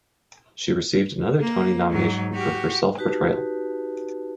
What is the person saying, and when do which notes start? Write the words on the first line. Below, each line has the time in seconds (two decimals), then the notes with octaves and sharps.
She received another Tony nomination for her self-portrayal.
1.41 A#3
1.91 G#2 F#3
2.34 F#4 G4
2.98 D#4 F#4 G4 B4 A5